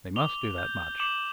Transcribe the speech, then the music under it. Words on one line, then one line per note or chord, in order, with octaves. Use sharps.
They must do that much.
D6 F7 G7
G6
D6 E7 F#7